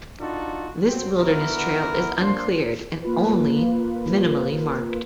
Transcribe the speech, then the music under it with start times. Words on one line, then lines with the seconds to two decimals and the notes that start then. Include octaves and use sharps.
This wilderness trail is uncleared and only minimally marked.
0.20 D4 D#4 F4 F#4 A4
0.87 F#3 C4
1.19 D3 B3 E4 F#4 A#4
2.19 A#3 D4 C5 C6
3.02 A#3 F4 B4